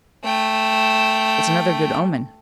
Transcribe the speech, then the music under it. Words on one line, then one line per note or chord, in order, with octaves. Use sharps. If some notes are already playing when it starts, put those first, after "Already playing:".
It's another good omen.
A3 G5